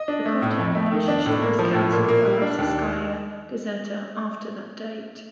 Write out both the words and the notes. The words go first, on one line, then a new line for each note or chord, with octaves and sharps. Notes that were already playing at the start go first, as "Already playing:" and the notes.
The content relationship was cancelled by Rossiyskaya Gazeta after that date.
Already playing: D#5
D4
A3
A2
F2
A3
D#3
D4
A2
A#3
F3
A2
A#2
A#3
G3
D4
D#2